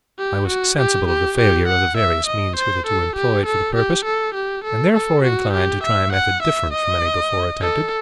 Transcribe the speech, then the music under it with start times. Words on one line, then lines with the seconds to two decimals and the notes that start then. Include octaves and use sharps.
I was sensible of the failure of the various means hitherto employed for the purpose, and therefore inclined to try a method different from any before attempted.
0.19 G4
0.48 F#4
0.78 G4
1.07 G4
1.38 G4
1.67 F#5
1.97 E5
2.27 D#5
2.56 C5
2.86 A4
3.16 G4
3.46 A4
3.75 G4
4.05 A4
4.35 G4
4.64 A4
4.94 A4
5.23 F#4
5.53 G4
5.83 E5
6.12 F#5
6.43 E5
6.73 D#5
7.61 A4